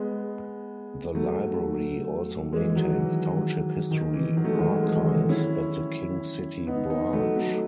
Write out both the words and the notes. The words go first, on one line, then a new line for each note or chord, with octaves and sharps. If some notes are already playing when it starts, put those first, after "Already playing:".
The library also maintains township history archives at the King City branch.
Already playing: G#3 B3
F#3 A3
E3 G#3
D#3 F#3
E3
D#3
E3
D#3 F#3
A3
G#3
D#3 F#3
E3 G#3
E3 G#3
C#4 E4
B3 D#4
B3 D#4
F#3 A3
F#3 A3